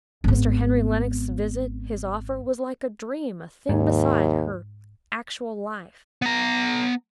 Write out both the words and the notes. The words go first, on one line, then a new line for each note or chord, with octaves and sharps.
Mr. Henry Lennox's visit--his offer--was like a dream, a thing beside her actual life.
G#1 B3
D#2 G#2
B3 A#5